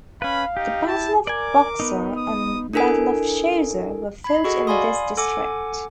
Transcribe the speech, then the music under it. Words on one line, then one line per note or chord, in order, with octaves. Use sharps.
The Battle of Buxar and Battle of Chausa were fought in this district.
C#4 B4 F5 B5
D#4 G4
E4 A5
A#4 D5 G#5 D6
B3 D#4
D#6
D4 E4 A4 A#4 G#5
B5 G#6 C7
F#4 G#4 A4 D#5 F#5
D5 F5 G#5 B5 C6 D#6
A4 F#5 G#5 D6